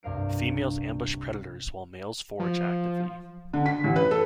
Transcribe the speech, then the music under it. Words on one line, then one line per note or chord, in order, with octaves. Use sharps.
Females ambush predators while males forage actively.
C2 G2 A#4 F5 D7
F3
D3
B6
A1
B4
A4